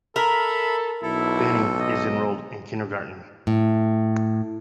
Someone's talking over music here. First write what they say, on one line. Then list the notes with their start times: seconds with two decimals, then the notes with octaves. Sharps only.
Benny is enrolled in kindergarten.
0.16 A4 A#4 E5 B5
1.03 B1 E4 A4
1.79 D#5
3.47 A2